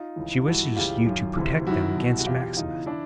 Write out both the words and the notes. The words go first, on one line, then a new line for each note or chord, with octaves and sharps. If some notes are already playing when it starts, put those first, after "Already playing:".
She wishes you to protect them against Maximus.
Already playing: D#4 F4
C#2 C#3 E3
G2 E3 E4 F#4
C#2 C#3 E3 F4 G4
F#2 D#3
D2 C3 E3
F#2 D#3 E4 F#4
C2 B2
F#4
E2 B2 F4 G4
F4 G4
E2 C#3 E3 D#4 F4
E3 D4 E4